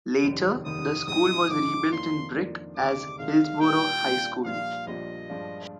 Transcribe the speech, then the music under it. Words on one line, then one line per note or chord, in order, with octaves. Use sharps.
Later the school was re-built in brick as Hillsboro High School.
F1 D#2 D#3 G3
F1 D#2 D#3 G3 D#6
A#1 G#2 F3 C4 D#4 D#6
A#1 G#2 F3 C4 D#4 D6
F2 D#3 A#3 D4 F4 C6
F2 D#3 A#3 D4 F4
D2 C3 D#3 G#3 D4 D6
D2 C3 D#3 G#3 D4 F5
A#2 G3 D4 F4 G5
A#2 G3 D4 F4
A#1 A#2 G3 D4 F4 F5
A#1 A#2 G3 D4 F4 D#5
G2 F3 G#3 D4 F4